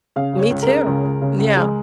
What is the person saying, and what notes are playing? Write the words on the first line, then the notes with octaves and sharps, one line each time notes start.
Me too. Yeah.
C#3 F5
C#2
C#5
C#2
A#4
C#3
C#2
C#2
C#3
C#2
G#3